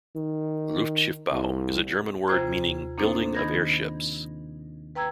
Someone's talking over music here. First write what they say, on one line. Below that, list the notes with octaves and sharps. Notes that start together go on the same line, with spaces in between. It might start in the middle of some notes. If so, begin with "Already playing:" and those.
'Luftschiffbau' is a German word meaning "building of airships".
D#3
C2
D#2 C3 F4 C5 A#5 G#6
A#3 C4 D4 D#4 A4 C5
D#3 D#4 B5 G6 G#6 A#6
B4 G5 A#5 E6 G#6